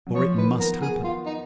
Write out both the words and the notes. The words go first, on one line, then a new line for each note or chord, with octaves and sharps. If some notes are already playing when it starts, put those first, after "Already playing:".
For it MUST happen.
F#3
F3 C#5
D#3 B4
B3 A#4
F#4 G#4
F4
D#4